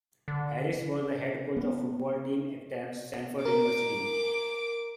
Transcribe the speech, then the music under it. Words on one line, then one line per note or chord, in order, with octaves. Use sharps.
Harris was the head coach of the football team at Stanford University.
D3
B3
A#4 D6